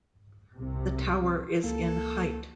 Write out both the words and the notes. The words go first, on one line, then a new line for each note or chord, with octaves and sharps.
The tower is in height.
C2 C3
C#2 A#3 A4